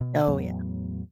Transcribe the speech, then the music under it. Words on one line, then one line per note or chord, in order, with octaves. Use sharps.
Oh, yeah.
B2
E2 A2 F#3 B3